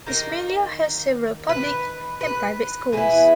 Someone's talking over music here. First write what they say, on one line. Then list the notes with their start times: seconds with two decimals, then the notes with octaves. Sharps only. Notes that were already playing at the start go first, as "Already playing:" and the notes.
Ismailia has several public and private schools.
0.06 D#3 A#3 D#4 A#4
1.49 B4
2.21 B4
2.92 E3 B3 E4 G#4